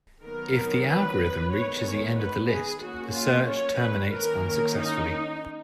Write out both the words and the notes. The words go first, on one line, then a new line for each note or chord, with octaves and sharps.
If the algorithm reaches the end of the list, the search terminates unsuccessfully.
D#3 F#3 B3 A#4
B4
D#3 G#3 B3 C#5
B4
G#4
F#3 A#3 C#4 F#4
F4
C#5
B4
D#3 A#3 C#4 A#4
D#4